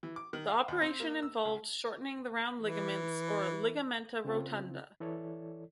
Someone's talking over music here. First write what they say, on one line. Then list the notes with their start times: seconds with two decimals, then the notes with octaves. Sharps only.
The operation involved shortening the round ligaments, or "Ligamenta rotunda".
0.03 E3
0.16 D6
0.33 D#3
0.48 F5
0.68 D#2
0.81 C4
1.00 A#3
1.22 E6
1.45 C#2
2.60 E3
4.25 C#3 C4 F4
5.00 E3 E4 A4 C#5 D5